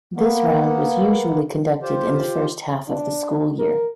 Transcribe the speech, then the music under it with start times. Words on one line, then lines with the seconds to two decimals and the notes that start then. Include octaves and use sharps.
This round was usually conducted in the first half of the school year.
0.16 A#3 B3
1.82 F4 G4 C5
2.88 D4
3.59 A#4